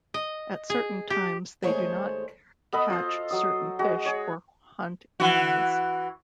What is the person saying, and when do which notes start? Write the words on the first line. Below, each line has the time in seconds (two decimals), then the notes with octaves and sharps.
At certain times they do not catch certain fish or hunt animals.
0.14 D#5
0.70 G#4
1.10 G4
1.62 D#2 G#3 A3 G#4 C5 C#5
2.73 B3 A4 D#5 B5
2.90 F4 C5
3.30 F#3 D#6
3.79 G#3 F#4
4.06 G#4 C#5
5.20 E3 F#4